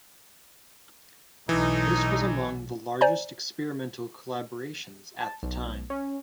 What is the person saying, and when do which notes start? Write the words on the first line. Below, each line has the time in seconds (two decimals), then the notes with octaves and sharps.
This was among the largest experimental collaborations at the time.
1.49 B1 E3 A3 D#4
3.01 C5 D5 G#5 A#5
5.20 A5
5.43 B1
5.90 C#4